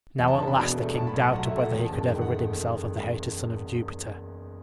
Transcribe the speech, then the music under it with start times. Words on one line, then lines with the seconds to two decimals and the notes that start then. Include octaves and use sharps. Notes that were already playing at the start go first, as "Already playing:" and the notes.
Now at last the king doubted whether he could ever rid himself of the hated son of Jupiter.
0.19 E2 G5
0.28 A5
0.38 E1 A5
0.48 B5
0.57 B2
0.76 A3
0.94 A2 A5
1.07 B5
1.13 B1
1.21 A5
1.33 F#3 F#5
1.45 E5
1.51 A3
1.58 F#5
1.71 E2 G5
1.84 A5
1.90 F#1
1.96 A5
2.09 D#3 G5
2.21 F#5
2.28 A3